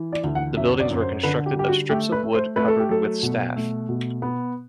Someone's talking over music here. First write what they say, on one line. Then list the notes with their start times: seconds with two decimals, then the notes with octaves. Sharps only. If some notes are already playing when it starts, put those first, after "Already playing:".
The buildings were constructed of strips of wood covered with staff.
Already playing: E3
0.13 D5
0.24 D2
0.35 F#5
0.57 F#2 E5
0.80 D5
0.91 F#2
1.01 C5
1.23 D3 B4
1.46 G4
1.56 G3 G4
1.68 F#4
1.89 A3 G4
2.12 B4
2.23 A3
2.34 C5
2.56 A3 B4
2.68 A4
2.80 G4
2.89 F#3 A4
3.23 B2
3.56 A3
3.89 B2
4.22 B3